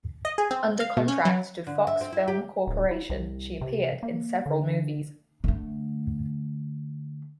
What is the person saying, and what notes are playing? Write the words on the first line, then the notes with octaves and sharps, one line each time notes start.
Under contract to Fox Film Corporation, she appeared in several movies.
D#5
G#4
C4
F5
B2
C#4
F#3
D3
E5
C4
E4
G4
D1
E4
C2
C3
A#3
D3
D3 A3